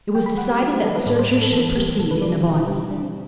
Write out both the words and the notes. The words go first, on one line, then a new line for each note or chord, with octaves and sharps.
It was decided that the searchers should proceed in a body.
G3 G5
B5
G3 F#5
G4
G3 F#4
G4
G3 A4
B4
A2 A4
D5
C5
A2 B4
A4
E3 A4
G3 G4
B2 A4
B4
G3 D5
G4
B2 F#4
E4
G3 G4
E4
G3 D4
C4